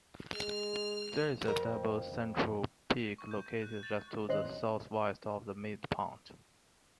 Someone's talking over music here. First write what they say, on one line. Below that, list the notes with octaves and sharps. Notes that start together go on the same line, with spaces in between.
There is a double central peak located just to the southwest of the midpoint.
G#3 F6
F2 A#4
C#6
G6
F#6
A6
D#2 C4 C#4 D#5 C6 F#6